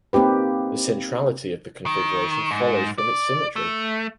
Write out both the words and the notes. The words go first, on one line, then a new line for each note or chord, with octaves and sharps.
The centrality of the configuration follows from its symmetry.
A#3 C4 D#4 G4 B4
D#3
G#2
D5
A3